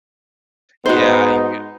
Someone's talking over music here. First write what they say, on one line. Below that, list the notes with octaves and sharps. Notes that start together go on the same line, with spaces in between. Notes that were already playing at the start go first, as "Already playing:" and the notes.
Yeah, you can get
G#2 B3 D#4 F#4 C5